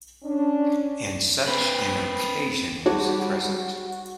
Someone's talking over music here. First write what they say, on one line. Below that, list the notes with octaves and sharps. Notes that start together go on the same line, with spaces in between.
And such an occasion was the present.
C#4 D4
C4 B4
G3 D#4 F#4 G#4 C#5